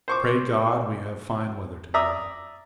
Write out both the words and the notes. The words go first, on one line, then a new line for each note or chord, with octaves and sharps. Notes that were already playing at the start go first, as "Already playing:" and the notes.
Pray God we have fine weather to-morrow.
C5 C#6 D6
D5 E5 A#5 D#6